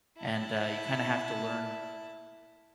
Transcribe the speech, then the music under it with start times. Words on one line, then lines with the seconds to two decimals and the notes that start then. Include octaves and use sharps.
and, uh, you kinda have to learn
0.17 E4 A5